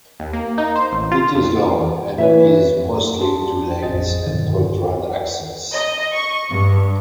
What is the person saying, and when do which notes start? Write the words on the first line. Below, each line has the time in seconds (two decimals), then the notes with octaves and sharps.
It is long, and is mostly two lanes and controlled access.
0.20 D#2
0.33 A#3
0.58 D#4
0.76 C5
0.92 A1
1.12 F4
1.35 F2
2.18 E3 B4 C#5 E5
3.20 C#4 D4 F#4 G#4 A5 C6
3.83 A1 F2 G#4 C5 D#5 A6
4.26 B1 G2 D3 D#3
5.74 D#5
6.14 C#6
6.50 G2